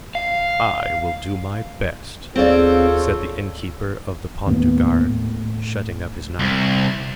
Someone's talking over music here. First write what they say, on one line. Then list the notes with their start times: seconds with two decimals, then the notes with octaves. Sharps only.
"I will do my best," said the inn-keeper of the Pont du Gard, shutting up his knife.
0.15 F5
2.36 D#2 C4 F4 G#4 A4 C#5 D5 F5
4.46 D#2 A2 A#3 B3
5.09 A2
6.39 C2